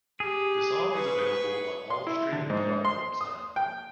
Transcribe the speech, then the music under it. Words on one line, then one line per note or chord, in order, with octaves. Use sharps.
The song is available on all streaming platforms now.
G4 G#4
B4 C#6
C6
E4
D3
G#2
C6
D#6
G5